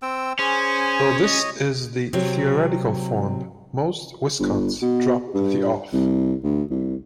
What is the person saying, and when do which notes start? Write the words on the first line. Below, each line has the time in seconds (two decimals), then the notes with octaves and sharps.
Though this is the theoretical form, most Viscounts drop the "of".
0.02 C4 G5 E6
0.39 C#4 G#4 C5 G#5
1.23 C#5 D#5
2.13 C3 F#3
4.39 G1
4.82 B2
5.34 G2
5.93 C2
6.43 D2
6.70 C2